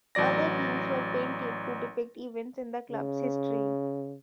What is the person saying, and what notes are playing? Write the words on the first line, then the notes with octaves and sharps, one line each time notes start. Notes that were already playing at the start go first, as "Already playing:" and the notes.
Other beams were painted to depict events in the club's history.
A1 F#3 D5 A#6
C#3